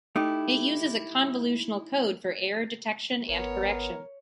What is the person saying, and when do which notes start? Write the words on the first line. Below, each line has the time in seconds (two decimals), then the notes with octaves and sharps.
It uses a convolutional code for error detection and correction.
0.16 A3 D#4 E4 G4
3.29 G#1 B3 A#4 C#5